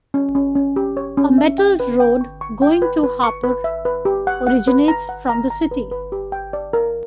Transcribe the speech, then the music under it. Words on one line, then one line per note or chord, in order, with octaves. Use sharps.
A metalled road, going to Hapur, originates from the city.
C#4
C#4
C#4
G4
C#5
C#4
E5
G5
B4
G5
C#6
C#6
G5
B4
B4
C#6
B4
E5
B4
G4
F#5
F#5
B4
A#5
F#5
A#5
A#5
B4
B4
G4
G5
D5
A#4